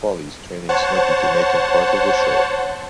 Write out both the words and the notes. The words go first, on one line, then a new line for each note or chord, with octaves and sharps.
Polly is training Snoopy to make him part of the show.
C5 C#5 F#5 A5